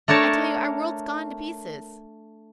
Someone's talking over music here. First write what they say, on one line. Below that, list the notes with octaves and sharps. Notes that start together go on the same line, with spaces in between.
I tell you--our world's gone to pieces.
A3 D4 A#4 C#5 A5